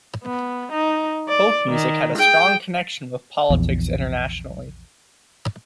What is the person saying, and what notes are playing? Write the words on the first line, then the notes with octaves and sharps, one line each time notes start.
Folk music had a strong connection with politics internationally.
B3
D#4
D5
D#3
G#4 G5
A#1 E2